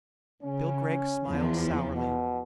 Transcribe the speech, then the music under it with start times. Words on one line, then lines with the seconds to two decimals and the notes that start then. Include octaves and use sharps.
Bill Gregg smiled sourly.
0.43 C#3 C#4
1.28 E2 F3
1.96 B2